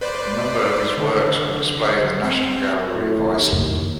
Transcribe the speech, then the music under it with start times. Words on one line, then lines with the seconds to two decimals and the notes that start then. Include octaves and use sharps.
A number of his works are on display in the National Gallery of Iceland.
0.01 B4 C5 D5
0.97 D3
2.24 C4
2.95 A2
3.36 D#2